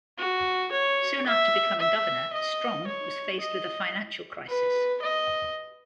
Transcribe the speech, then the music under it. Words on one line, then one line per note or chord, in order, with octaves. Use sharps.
Soon after becoming governor, Strong was faced with a financial crisis.
F#4
C#5
E5
E5
D#5
C#5
D#5
B4
D#5